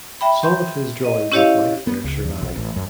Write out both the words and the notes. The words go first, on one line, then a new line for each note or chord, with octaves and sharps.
Some of his drawings of life there survive.
E5 G5 B5
C6 G6
D#5
C#4 E4 G4 C#5 D#5 F5
B3
C#2
E2
B1
A1
F#2